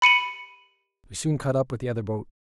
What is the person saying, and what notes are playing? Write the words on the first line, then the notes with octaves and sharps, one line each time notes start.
We soon caught up with the other boat.
B5 C#7 D#7 F#7